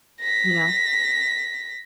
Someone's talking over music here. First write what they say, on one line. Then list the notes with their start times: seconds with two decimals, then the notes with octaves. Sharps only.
you know?
0.21 A#6 B6